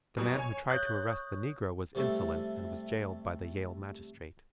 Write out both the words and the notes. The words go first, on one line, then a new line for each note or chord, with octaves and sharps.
The man who tried to arrest the negro was insolent and was jailed by the Yale magistrate.
F#2 B2 G3
C#5 G#5
C#5 C#6 D#6 F#6 G6
C3 G3 A3